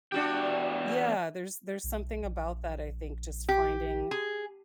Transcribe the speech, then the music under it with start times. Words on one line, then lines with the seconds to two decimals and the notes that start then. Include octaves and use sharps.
Yeah, there's there's something about that, I think just finding
0.12 E2 D4 F#4 G4 G5
1.84 B1
2.23 A#1
3.49 G4
4.11 G#4